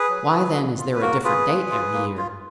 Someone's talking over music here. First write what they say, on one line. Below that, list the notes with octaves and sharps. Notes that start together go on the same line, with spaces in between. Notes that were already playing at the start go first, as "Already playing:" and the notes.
Why then is there a different date every year?
Already playing: G#4 B4
F#3
B3 D#4 F#4
A#3
F4
B4
A#3 F#4 A#4
F4 G#4 B4
A#3
F4
A#3
F4